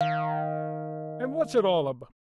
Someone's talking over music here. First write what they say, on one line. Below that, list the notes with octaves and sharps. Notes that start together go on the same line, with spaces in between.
"And what's it all about?"
D#3 F5